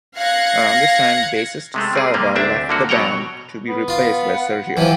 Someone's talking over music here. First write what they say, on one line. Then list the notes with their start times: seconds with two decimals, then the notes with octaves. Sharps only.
Around this time bassist Salva left the band, to be replaced by Sergio.
0.16 F5 F#6 G#6 A#6 C#7
1.74 C3 G#3 A3
1.93 G3 C4 G#4
2.14 C3 G3 A#3
2.35 D2 C4 D4 E5
2.69 D3 A#3 F#4
2.89 B2 F#3 C#5 F#5 G5 A#5
3.68 B3
3.88 F4
4.34 F#5
4.77 E3 F3 G4